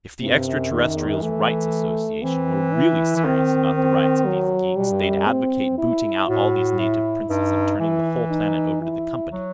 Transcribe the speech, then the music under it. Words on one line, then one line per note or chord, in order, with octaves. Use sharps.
If the Extraterrestrial's Rights Association were really serious about the rights of these geeks, they'd advocate booting out all these native princes and turning the whole planet over to the Company.
G2 C3
F#2
E2 D#3
F#2
E2
F#2
E3 A3
E3 C4
E4
E3
D#3 C4
C4
F#3
B2 G3
G2
F#2
C4
E4
A2 F#4
E4
G2 D#4
E3 E4
D#4
E4
F#3